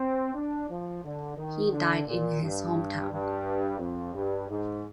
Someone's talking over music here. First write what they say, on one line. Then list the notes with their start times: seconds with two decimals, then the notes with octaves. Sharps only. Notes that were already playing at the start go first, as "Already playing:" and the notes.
He died in his hometown.
Already playing: C4
0.34 D4
0.69 F3
1.03 D3
1.37 D#3
1.72 D3
2.06 A#2
2.42 G2
3.10 G2
3.79 F2
4.14 G2
4.49 G#2